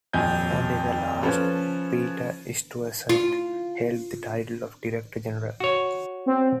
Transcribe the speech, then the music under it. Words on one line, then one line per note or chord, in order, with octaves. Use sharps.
Only the last, Peter Stuyvesant, held the title of Director General.
D#1 G#1 F2 D#5 G#5 G6
F3 C#4 A4 B4
F4
F#4 C#5
C4